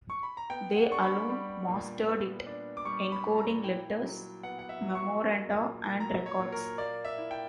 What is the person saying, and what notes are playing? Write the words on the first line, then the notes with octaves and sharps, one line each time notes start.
They alone mastered it, encoding letters, memoranda, and records.
C#6
B5
A#5
B3 G5
F#5
D4 C#6
B5
G3
A#2
B3
D4
D6
G3 C#6
B5
A#2
A#5
E4 G5
F#3
B3 F#5
F#5
E5
F#3
C#6
A#3
A#2
F#3 A#5
C#5
A#2
A#4
A#3 D5
E5
E4
G5